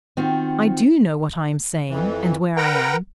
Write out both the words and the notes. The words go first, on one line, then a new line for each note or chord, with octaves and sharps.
I do know what I am saying and where I am.
D#3 C4 F4 F#4
F2 E3
A#4 B4 F#5 G5 A#5